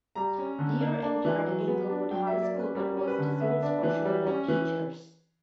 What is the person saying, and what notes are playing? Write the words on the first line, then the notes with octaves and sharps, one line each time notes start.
Lear entered Englewood High School but was dismissed for showing up teachers.
G3 A#5
C#4
D3
A#3
D4
E3
F#3
B3
D4
F#3 G5
E5
A#3
D5
C#4
B4
G3 A#4
C#4
B4
D3
B3 E5
D4
E3
G3
C#4
E3